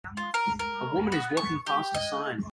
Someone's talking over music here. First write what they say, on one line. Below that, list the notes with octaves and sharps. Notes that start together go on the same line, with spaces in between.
A woman is walking past a sign.
F4
A#4
A#4
F#4
C#6
G4
D#5